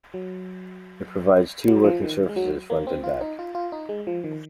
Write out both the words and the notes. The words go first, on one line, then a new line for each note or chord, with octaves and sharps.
It provides two working surfaces, front and back.
F#3
F#3
F3
D#3
G#3
F#3
A#3
C4
F4
D#4
F4
F4
D#4
G#3
F3
D#3